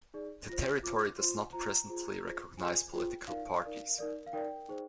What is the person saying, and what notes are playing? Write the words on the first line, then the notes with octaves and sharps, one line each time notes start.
The territory does not presently recognize political parties.
D#4 G#4 D5
F4 C5 A#6
F4 C5 D6
F4 C5 C6
F4 C5 A#5
F4 G#4 C5
F4 G#4 C5
F4 G#4 C5 G#5
F4 G#4 C5 G5
D#4 A#4 D5 F5
D#4 A#4 D5
D#4 A#4 D5
F5
D#4 A#4 D5 G5
D#4 G#4 C5